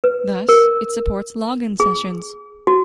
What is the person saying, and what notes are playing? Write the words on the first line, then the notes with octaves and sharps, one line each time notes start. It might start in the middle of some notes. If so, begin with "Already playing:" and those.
Thus it supports login sessions.
B4
A#4
G#4
F#4